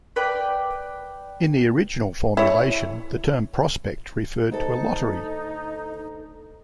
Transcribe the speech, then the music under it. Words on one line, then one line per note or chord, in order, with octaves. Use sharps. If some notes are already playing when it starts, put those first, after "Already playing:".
In the original formulation, the term "prospect" referred to a lottery.
B4 D5 G5
E4 C#5
D2 D#4 A4